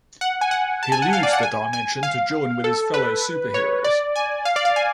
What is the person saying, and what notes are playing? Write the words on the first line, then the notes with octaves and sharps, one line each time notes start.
He leaves the dimension to join with his fellow superheroes.
F#5
G#5
F#5
A5
G#5
F#5
F5
D5
F#5
G#5
G#5
F5
A4
B4
C#5
D5
G#5
F5
D5
F5
G#5